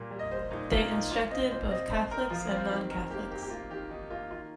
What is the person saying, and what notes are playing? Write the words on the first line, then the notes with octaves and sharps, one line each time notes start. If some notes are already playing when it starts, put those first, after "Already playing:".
They instructed both Catholics and non-Catholics.
Already playing: A#2 G3 A#3 G4
G3
D#5
G3 C5
A#2 D#4
A#3 F4
A#2 D#4
A#2 F4
C4 D#5
A#2 C5
C4 D#5
C4 C5
C4 A#4
F3 F4
C4 F4
D#3 G4
D#3 A#4
A#3 G4
A#3 G4
G4
A#3 F4
D#3 G4
D#3 D#4
A#3 F4
D#3 F4